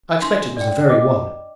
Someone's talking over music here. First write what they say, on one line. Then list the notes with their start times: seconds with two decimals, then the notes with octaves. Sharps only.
I expect it was the very one!
0.22 D4 C6
0.57 D5 G5
0.89 D#5 D6